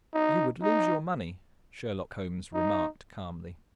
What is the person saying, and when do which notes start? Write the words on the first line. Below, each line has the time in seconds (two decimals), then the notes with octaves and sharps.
"You would lose your money," Sherlock Holmes remarked calmly.
0.14 D#4
0.63 D#4
2.54 D#4